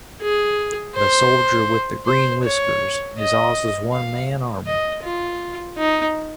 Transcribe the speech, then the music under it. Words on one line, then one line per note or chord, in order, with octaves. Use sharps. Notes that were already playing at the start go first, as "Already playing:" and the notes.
The Soldier with the Green Whiskers is Oz's one-man army.
G#4
C5
C5
C#5
D#5
F5
D#5
F4
D#4